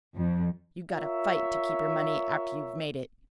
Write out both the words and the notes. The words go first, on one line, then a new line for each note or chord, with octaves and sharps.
You got to FIGHT to keep your money after you've made it.
F2
F4 A#4 C#5 E5